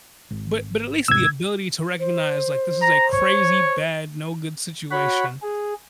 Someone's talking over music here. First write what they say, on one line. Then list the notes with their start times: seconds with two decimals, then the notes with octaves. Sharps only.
But but at least the ability to recognize, like, this is a crazy bad, no good situation,
0.31 G#1
1.08 E2 G#2 C3 E6 G#6
2.00 C5
2.82 A#5
3.13 C#5
4.91 F#4 C#5 F#5 B5
5.42 G#4